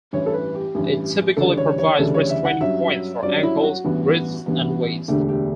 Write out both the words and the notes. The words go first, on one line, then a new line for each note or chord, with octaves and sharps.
It typically provides restraining points for ankles, wrists, and waist.
A1 G2 E3 C#5
A4
B4
G4
A1 G2 E3
D2 C#3 E3 G3 D4 A4
C#5
C#5
D2 C#3 E3 G3 D4 A4
C#5
E5
F#5
G2 F#3 C#4 E5
G2 F#3 C#4 D5
E4
F#4
A1 G2 E3 B3
A1 G2 E3 B3
E1 D2 D3 A3 D4 G4
G4